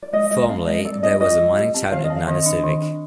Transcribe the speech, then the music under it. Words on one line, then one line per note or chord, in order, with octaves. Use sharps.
Formerly there was a mining town at Nanisivik.
D5
G#3 D#5
G#3 D#5
C4 F5
G#3 D#5
G3 D5
C4 D#5
F4 D#5
G3
G4
C4
D#3 F5
D#5
C4
F5
D#3 D#5
D4
D#3
D4